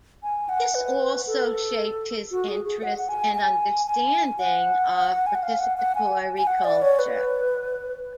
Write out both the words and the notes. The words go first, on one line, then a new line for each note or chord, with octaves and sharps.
This also shaped his interest and understanding of participatory culture.
G#5
F#5
B4
A4
F#4
G#4
G#4
F#5
F#5
G#5
G#5
G#5
F#5
G#5
F#5
F5
F#5
F#5
G#5
G#5
F#5
D5
C#5
B4